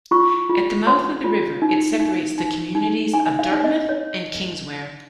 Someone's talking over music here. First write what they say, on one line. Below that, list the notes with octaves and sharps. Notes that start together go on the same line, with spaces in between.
At the mouth of the river, it separates the communities of Dartmouth and Kingswear.
F4 C#6
F4
C#5 C6
F4
D#4
D#4
D#4
D#4
D#4 G#5
F5
D#4
D#5
C#5